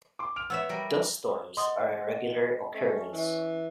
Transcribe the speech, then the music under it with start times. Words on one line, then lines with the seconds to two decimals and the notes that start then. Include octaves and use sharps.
Dust storms are a regular occurrence.
0.19 C6 D6
0.36 F6 D7 F7
0.50 B3 C#5 E5 E6
0.69 G3 A#4
1.57 D#5 F#5 C6 D#6
2.74 A3 C#4
3.13 E3